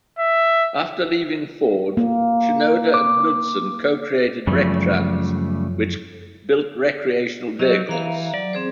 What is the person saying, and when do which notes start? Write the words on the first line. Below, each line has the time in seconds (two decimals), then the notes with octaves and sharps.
After leaving Ford, Shinoda and Knudsen co-created Rectrans, which built recreational vehicles.
0.19 E5
1.97 A#3
2.94 D6
4.47 F#2 C#3 F3 G3 A3
7.59 F#3 G4 D#5
7.89 E3 E5 F5 A#5
8.34 F#3 D5
8.53 C4 G#4 C5